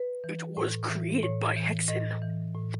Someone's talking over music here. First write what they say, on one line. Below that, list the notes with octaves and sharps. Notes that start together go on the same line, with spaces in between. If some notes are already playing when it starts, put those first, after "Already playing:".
It was created by Hexen.
Already playing: B4
E3
A2
E3
A2 C#5
E3
A2 D#5
E3
A2